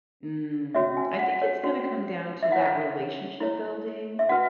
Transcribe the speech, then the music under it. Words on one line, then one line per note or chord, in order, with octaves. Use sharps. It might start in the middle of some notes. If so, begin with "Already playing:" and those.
Mm, I think it's gonna come down to that relationship-building.
C#4 F#4 C#5 E5
G#5
F#5
C#5
C#4 F#4 C#5
E5
E4 C#5 F#5
E4 C#5
E5
C#4 F#4 B4 F#5